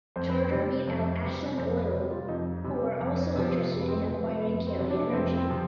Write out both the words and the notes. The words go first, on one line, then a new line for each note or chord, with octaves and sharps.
Charter beat out Ashland Oil who were also interested in acquiring Carey Energy.
F2 C5
B4
C5
C3 G3
F2
C3 G3
F2 C5
B4
C3 G3
F4
F2 D#4
C3 G3
F2
C3 F3
F2
B3
C4
C3 F3 B3
F2 B3
C4
C3 F3
D4
B3
F2 C4
C4
C3 F3